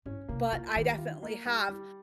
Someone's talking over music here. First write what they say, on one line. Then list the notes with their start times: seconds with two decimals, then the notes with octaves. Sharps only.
but I definitely have.
0.06 G#2 C#4
0.28 C3 A#3
0.52 C#3 F4
0.75 D#3 G3
0.98 F4
1.23 A#3
1.46 G3
1.69 G3